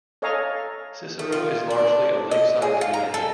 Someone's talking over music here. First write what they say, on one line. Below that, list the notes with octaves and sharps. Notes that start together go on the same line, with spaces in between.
Cicero is largely a lakeside community.
A4 C#5 D#5 F5 G#5 A#5
A3
F4
D4
D#5
G#4
F4
A#5
A4